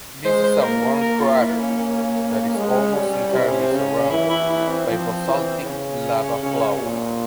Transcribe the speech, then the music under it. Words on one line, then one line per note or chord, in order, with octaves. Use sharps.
This is a worn crater that is almost entirely surrounded by basaltic lava flows.
G#3 C5
C5
A#3 A#4
A#4
A#4
F4
E4
C#4
C#4
G#3
G3
C3 E4
C#4
C4
C#3 C#4
E3 E4
E4
E4
C4
F3
E3
C#3 C#4
C#3
A#2